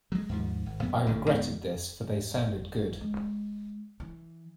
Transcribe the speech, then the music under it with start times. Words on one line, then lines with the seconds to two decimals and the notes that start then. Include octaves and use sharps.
I regretted this, for they sounded good.
0.12 F#3 G#3
0.29 D#2 G#2 F3
0.66 G#1
0.82 F#2 B3
1.07 A1 A#2 D3
1.29 D1 G#2 B2 B3
2.34 G1
3.01 G#3
4.00 E3